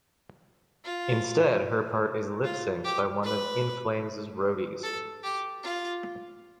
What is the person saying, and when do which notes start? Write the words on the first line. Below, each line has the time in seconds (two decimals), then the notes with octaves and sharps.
Instead, her part is lipsync'd by one of In Flames' roadies.
0.84 F4
2.44 F4
2.84 G4
3.24 B4
4.83 A4
5.23 G4
5.63 F4